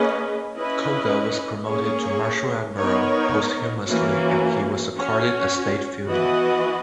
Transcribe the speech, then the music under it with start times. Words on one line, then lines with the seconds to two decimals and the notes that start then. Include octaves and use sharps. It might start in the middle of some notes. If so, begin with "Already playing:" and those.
Koga was promoted to Marshal Admiral posthumously and he was accorded a state funeral.
Already playing: A#3 C#4 G#4 B4 D#5
0.56 C#4 E4 B4 D#5
1.66 A#3 C#4 G#4 C#5
2.76 B3 D#4 A#4 C#5
3.86 E3 A#3 C#4 F#4
4.96 C#4 F#4 C#5
6.06 E3 B3 F#4 B4 D#5